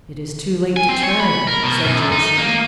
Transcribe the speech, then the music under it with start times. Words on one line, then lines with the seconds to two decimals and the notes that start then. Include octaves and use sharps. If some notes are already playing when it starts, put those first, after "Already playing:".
"It is too late to turn," said Jason.
0.77 G#5
0.89 C4
1.03 C#5
1.20 B5
1.47 A#4
1.63 B2
1.85 F#2
2.12 D#4
2.38 A#3